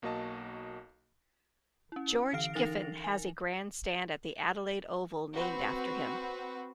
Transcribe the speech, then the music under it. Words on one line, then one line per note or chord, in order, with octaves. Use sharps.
George Giffen has a grandstand at the Adelaide Oval named after him.
B1 A#3 F#4 D#5 A5
C#4 E4
D3 E3 F5 F6 C7 D7
E3 D#4 A#4 A6 A#6 F7
G#5
C4 F#4 B4